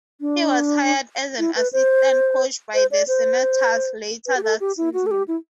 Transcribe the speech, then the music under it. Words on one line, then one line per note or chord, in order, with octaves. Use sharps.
He was hired as an assistant coach by the Senators later that season.
D4
E4
B4
C5
C5
D5
C5
B4
G4
A4
G4
E4
F#4
A4
G4
E4